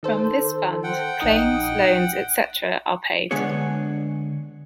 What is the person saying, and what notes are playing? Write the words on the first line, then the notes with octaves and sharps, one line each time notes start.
From this fund claims, loans, etc., are paid.
D#3 A4 C5
F#5 G5
A#1 D#4 D#6
D3 G#3 B3 D4 G#4 C#5